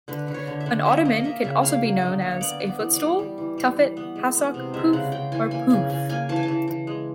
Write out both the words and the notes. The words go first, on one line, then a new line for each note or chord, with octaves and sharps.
An ottoman can also be known as a "footstool", "tuffet", "hassock", "pouf" or "pouffe".
D3 B4
D3
C#5
D3
E5
D3
A#3 E5
A#3 D#5
D#5
A#3 E5
C#3 E5
A#3 F5
F#3
D3 D#5
A#3
C#5
B3 D5
B3
D5
E3
D5
G3
G3
E3
G3
E3
B3
G#3
B3
C3
G#3 E5
C#3 F#5
C#3 G5
E3 G#5
A#3 G#5
C#3 G#5
C#3 G#5
A#3 G#5
E3 A5
G#5
A5
E3
E3
G#3